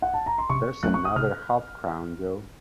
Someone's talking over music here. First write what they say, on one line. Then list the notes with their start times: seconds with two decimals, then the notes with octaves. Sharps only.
There's another half-crown, Jo.
0.02 F#5
0.14 A5
0.26 A#5
0.38 C6
0.50 C3 C#6
0.83 F#3 A3 C#4 F#6
0.94 C#6
1.05 D#6
1.16 C3 F6